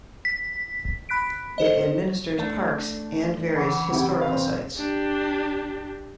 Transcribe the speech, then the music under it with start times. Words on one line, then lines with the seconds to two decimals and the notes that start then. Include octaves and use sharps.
It administers parks and various historical sites.
0.25 B6
1.09 B5 F#6 B6 D7
1.58 A4 C5 D#5
2.38 A3 D4
3.56 C#3 E3 F#5
3.91 C3 E4 G4
4.21 C4 B4 F5
4.77 D4 G4